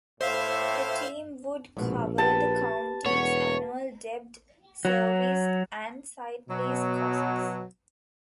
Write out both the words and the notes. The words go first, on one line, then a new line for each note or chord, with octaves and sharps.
The team would cover the county's annual debt service and site lease costs.
A2 C5 E5 F5
A#1 G#2 B2
G4 B4 A5
E1 B3 C#5
F#3
B2 F#3